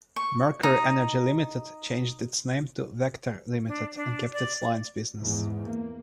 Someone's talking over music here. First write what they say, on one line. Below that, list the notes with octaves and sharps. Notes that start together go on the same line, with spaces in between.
Mercury Energy Limited changed its name to Vector Limited and kept its lines business.
C#6
D#4
D4
D4
D5
D5
E2 G#2
A#3